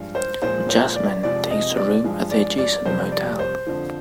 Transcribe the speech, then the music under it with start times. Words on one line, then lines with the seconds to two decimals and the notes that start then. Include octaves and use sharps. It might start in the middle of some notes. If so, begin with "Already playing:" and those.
Jasmin takes a room at the adjacent motel.
Already playing: G2 F3 G#3
0.15 C5
0.42 A#2 F3 G#3 C5
0.69 C5
0.96 D5
1.23 F2 C3 F3 G#3 D5
1.50 D#5
1.77 D5
2.04 G2 F3 G#3
2.31 D5
2.58 D5
2.86 F2 C3 G3 C5
3.12 D5
3.39 C5
3.66 F2 D3 F3